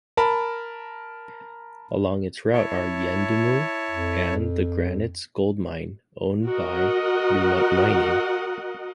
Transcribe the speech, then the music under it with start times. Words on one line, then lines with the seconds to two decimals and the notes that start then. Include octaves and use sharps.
Along its route are Yuendumu and The Granites gold mine owned by Newmont Mining.
0.17 A#4 A5 B5
2.53 E4 C#5 A5
3.90 F2
6.45 F#4 A#4 D#5 F#5